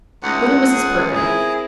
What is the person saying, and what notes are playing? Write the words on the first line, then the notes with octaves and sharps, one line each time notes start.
Go to Mrs. Perkin.
C#2 A3 D#4 F#5
G#4
C4 E4 G#4 A#4